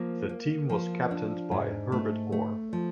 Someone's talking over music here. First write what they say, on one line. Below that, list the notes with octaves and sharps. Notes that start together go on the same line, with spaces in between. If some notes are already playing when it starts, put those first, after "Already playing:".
The team was captained by Herbert Orr.
Already playing: F3 A#3
A#3
F3
D4
G#2
A3
A3
F3